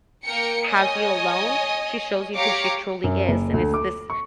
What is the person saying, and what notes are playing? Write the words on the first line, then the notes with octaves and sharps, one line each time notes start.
has you alone, she shows you who she truly is, and it's this
A#3 A#4 G5 C#7
C#5 D#5 G#5
G4 C#5 F5 A#5 D6 C#7
F#2
F#1
D2
D6
C#6